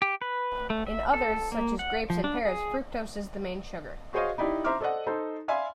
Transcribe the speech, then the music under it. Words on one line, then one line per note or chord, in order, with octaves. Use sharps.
In others, such as grapes and pears, fructose is the main sugar.
G4
B4
A3
E5
A4
A#3
F#5
F3
D4
G#4
F#4 G#4 C5 C#5 D#5 F5
D#4 E4 G4 D5
C5 E5 A#5 C6 D6 F6
A4 C5 D5 D#5 F#5
D#4 A4 C5
D5 E5 F5 G#5 B5 C6